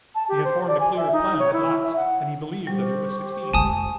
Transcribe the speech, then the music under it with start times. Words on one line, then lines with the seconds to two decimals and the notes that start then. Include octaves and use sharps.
He had formed a clear plan at last, and he believed that it would succeed.
0.15 A5
0.29 G4
0.44 C5
0.67 D5
0.80 G#5
0.96 E5
1.12 D#4
1.39 C#5
1.53 E4
1.83 E5
1.96 F#5
2.67 G3 G4 C5 C#6
3.53 F2 G#3 G#5 A5 D#6